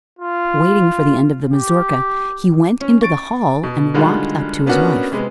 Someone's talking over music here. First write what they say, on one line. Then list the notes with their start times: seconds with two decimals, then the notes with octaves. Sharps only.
Waiting for the end of the mazurka, he went into the hall and walked up to his wife.
0.19 F4
1.52 G4
2.81 C#4
3.01 C#6 A6 D7
3.63 B2
3.94 D3 D#3 G3 G#3 F4 F#4
4.66 A#3 B3 C#4 D4 F#4
5.12 C3 G#3 B3